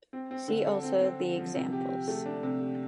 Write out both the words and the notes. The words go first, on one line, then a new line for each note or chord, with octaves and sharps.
See also the examples.
C4
C4
D3
A4
C4
C4
D3
F3
C3
G4
G4
A3
D4
C3
G4